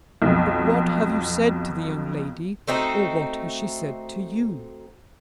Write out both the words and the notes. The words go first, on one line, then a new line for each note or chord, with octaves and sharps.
"But what have you said to the young lady,--or what has she said to you?"
B1 F2
A3 C4 D#4 F#4